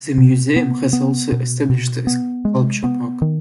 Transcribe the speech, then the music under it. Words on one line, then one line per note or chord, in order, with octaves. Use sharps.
The museum has also established a sculpture park.
B2
B3
B3
B2
B2
B3
G#3
B3
D#3